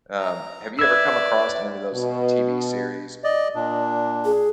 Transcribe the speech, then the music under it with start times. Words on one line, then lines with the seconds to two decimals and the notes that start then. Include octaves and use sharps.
um, have you ever come across any of those TV series
0.19 A#5
0.79 B4 D5 E5 E6 G#6
1.93 B2
3.24 D5 D#5
3.55 A#2 D4
4.25 G#4